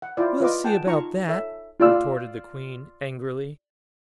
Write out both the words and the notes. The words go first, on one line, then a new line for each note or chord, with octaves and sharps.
"We'll see about that," retorted the Queen, angrily.
F#5
E4 F4 C5 D5
F4 B4 D#5 D6
G#4 F#5 G5 A5
D#4 F4 A5 A#5 C#6
A4 C#5 E5
F4 D5 E6